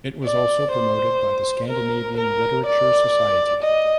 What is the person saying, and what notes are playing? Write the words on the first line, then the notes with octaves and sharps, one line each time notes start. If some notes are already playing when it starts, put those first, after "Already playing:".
It was also promoted by the Scandinavian Literature Society.
D5
C5
A#4
A#4
D5
D#5